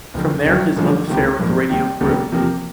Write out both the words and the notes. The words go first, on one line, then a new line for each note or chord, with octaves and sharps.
From there his love affair with radio grew.
F#1 F2 D3
G1 F#2 D#3 F#3
A1 G2 D3 F3
C#2 C3 D#3
A#1 G#2 F3 A#3
D#2 D#3 G3
F1 D#2 D3 G3 B3
E2 C3 F3 A#3